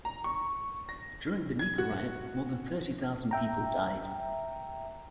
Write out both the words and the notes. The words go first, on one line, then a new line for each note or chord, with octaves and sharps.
During the Nika Riot, more than thirty thousand people died.
A#5
C#6
A#6
G#6
F#4
E5 G5 A#5